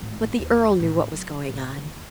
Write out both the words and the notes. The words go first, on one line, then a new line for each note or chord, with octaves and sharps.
But the earl knew what was going on.
G#1 A2
D#2
A2 D3
F#3
A2
D#2